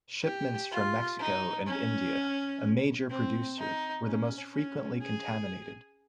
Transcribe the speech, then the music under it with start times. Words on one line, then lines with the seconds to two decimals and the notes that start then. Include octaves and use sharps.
Shipments from Mexico and India, a major producer, were the most frequently contaminated.
0.24 G4
0.71 F4
1.19 D#4
1.67 C#4
3.10 C4
3.58 D#4
4.06 C#4
4.53 C#4
5.01 G#4